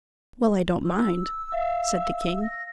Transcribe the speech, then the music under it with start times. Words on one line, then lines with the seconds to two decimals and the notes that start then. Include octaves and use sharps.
"Well, I don't mind," said the king.
0.85 E6
1.52 E5 F5
2.43 A#6